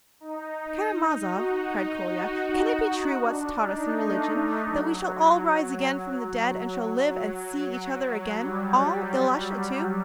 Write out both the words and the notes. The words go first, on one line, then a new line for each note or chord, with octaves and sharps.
"Karamazov," cried Kolya, "can it be true what's taught us in religion, that we shall all rise again from the dead and shall live and see each other again, all, Ilusha too?"
D#4
D#4
F#4
D#4
F#4
D4
D#4
A3
F#3
F#3
F#3
G3